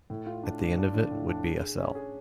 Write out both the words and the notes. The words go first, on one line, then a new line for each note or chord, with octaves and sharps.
At the end of it would be a cell.
A2
F4
D4
D4
D4
D4
A2
D4
G#4
G#4
C#4
G#4